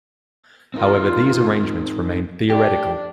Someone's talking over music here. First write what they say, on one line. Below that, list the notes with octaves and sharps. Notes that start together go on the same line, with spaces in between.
However, these arrangements remained theoretical.
C4 D#4 F4 A#4
D4 G4